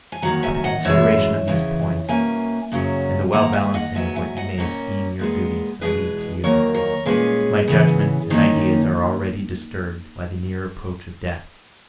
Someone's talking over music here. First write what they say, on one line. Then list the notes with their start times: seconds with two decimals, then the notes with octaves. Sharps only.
But the consideration of these points, and the well balancing of what you may esteem your duties, I leave to you; my judgment and ideas are already disturbed by the near approach of death.
0.12 G#5
0.22 D#2 D#3 F#3 F#5 A#5
0.43 E5 G#5
0.64 D#5 F#5
0.85 F#2 E3 G#3 C#5 E5
1.47 E2 C#3 E3
2.09 B2 A#3 C#4 E5 G#5
2.72 F#2 C#3 F#3 C#4
3.32 G#2 D#3 A#3 F#5 A#5
3.53 E5 G#5
3.74 D#5 F#5
3.95 G#2 F#3 B3 E5 G#5
4.16 E5 G#5
4.37 D#5 F#5
4.57 A#2 A#3 C#4
5.19 A#2 G#3 B3
5.81 E2 B2 G#3 G#4 B4
6.44 D#2 D#3 F#3 A#3 A#4 C#5
6.74 A#4 C#5
7.06 A#2 G#3 C#4 G#4 B4
7.68 C#3 E3 B3
8.30 D#2 D#3 A#3 C#4 D#4